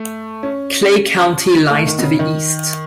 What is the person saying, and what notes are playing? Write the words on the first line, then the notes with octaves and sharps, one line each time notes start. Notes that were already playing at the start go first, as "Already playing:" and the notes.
Clay County lies to the east.
Already playing: A3
C#4
A3
D#3
B2
C#3
D#3